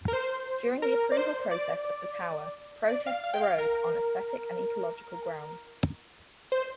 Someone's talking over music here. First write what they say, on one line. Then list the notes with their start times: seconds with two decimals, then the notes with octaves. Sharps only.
During the approval process of the tower, protests arose on aesthetic and ecological grounds.
0.08 A#4
0.13 C5
0.82 A#4
1.12 D5
1.17 C5
1.51 D5
2.89 D5
3.06 F5
3.24 F5
3.34 G5
3.41 F5
3.58 A#4
6.52 C5